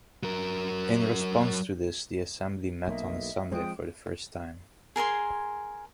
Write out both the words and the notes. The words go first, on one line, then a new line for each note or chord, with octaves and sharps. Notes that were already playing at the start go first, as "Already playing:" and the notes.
In response to this the Assembly met on a Sunday for the first time.
F#3 A#4
B1 A#3 D#5 E5
F3 G#3 C4 G5 D#6
G#4 A#4 G#5 C6